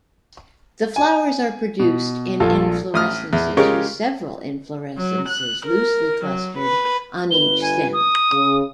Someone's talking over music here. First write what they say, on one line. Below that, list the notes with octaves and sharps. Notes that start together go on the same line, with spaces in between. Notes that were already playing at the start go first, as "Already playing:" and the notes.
The flowers are produced in inflorescences, with several inflorescences loosely clustered on each stem.
G#5
B2
A#1 F4 A4
A1 D#6 F6
E2
C#3 G#3 F4 G4 A#4 C#5
F#3
F#6
A#4
F#3
B4
G1 B4 G7
G#5
D#6
C#3